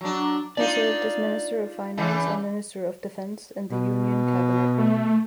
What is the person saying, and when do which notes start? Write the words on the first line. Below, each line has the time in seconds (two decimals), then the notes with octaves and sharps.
He served as Minister of Finance and Minister of Defence in the union cabinet.
0.01 F#3 D4
0.57 D4 D#4 F4 D5
1.98 C#3 E3
3.71 B2
4.78 A3